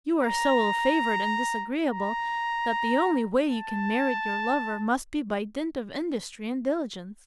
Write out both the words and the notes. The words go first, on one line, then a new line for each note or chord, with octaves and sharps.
You are so ill-favored and disagreeable that the only way you can merit your lover must be by dint of industry and diligence.
A#5
A#5
A5